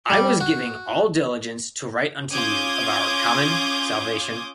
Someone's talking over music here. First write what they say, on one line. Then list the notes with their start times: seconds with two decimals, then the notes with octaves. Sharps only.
I was giving all diligence to write unto you of our common salvation.
0.10 G3
0.41 F#4
2.33 C#4 F4 D6 D#6 G6 G#6